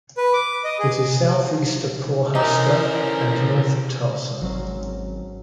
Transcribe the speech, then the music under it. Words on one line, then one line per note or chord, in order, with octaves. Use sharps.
It is southeast of Pawhuska and north of Tulsa.
B4
D6
D#5
G#4
E3 C#4 D#4 A#4 C5
G#1 F#3 C4 C#4